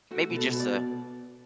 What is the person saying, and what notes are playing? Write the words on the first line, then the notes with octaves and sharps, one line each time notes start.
maybe just a
A3 F#4
B2
A4
B2
D5